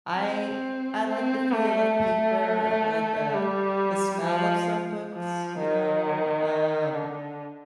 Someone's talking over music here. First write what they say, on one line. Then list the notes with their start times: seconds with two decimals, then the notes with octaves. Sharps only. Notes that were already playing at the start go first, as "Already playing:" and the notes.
I I like the feel of paper. I like the the smell of some books, you know, um,
0.17 C4
1.07 C4
1.53 A3
1.98 A3
3.33 G3
4.24 F3
5.14 F3
5.59 D#3
6.95 D3